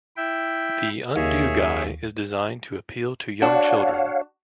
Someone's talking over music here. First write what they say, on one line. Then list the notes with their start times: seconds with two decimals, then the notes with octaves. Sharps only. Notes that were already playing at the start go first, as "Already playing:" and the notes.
The Undo Guy is designed to appeal to young children.
0.17 E4 E5 G5
1.16 D#2 G#4 C#5 E5
3.42 D4 F#4 C#5 F5 F#5